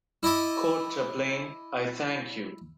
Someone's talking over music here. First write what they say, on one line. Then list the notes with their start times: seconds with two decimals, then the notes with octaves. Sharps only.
Court-chaplain, I thank you.
0.23 E4 D#5 A5 D6 D#6